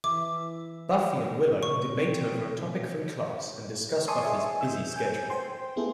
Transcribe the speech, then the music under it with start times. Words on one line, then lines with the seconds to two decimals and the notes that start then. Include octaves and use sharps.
Buffy and Willow debate over a topic from class and discuss Buffy's busy schedule.
0.04 E3 E5 D6
1.63 A#2 C#3 C#6
1.94 B2 C4
4.08 D5 G#5 A5 C6 C#6 D#6
4.23 G#4 D#5 E5 G#5
4.61 E6 G6
4.94 G#5 G6
5.30 C5 G5 C6
5.76 A3 B3 E4 F4 G#4 A4